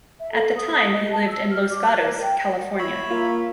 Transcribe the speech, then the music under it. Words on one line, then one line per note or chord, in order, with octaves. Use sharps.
At the time he lived in Los Gatos, California.
E5
A4
D#6
D#5
A5
E6
F6
D6
F#6
A#4
G5
C#5 E5 B5
A#3 F4